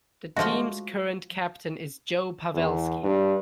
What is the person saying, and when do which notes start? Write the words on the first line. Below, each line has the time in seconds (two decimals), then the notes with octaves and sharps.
The team's current captain is Joe Pavelski.
0.37 F3 G#3 A3 F#4
2.54 E2
3.03 G2